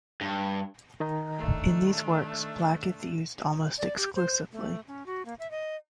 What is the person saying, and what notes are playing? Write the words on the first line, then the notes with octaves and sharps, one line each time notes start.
In these works, black is used almost exclusively.
G2
D#3 D#5 A#5
A3 D4
D5
G4
C5
A3
C#4
F#4
A#3
E5
D#5